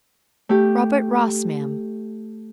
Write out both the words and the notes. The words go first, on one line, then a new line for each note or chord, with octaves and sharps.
"Robert Ross, ma'am."
A3 G4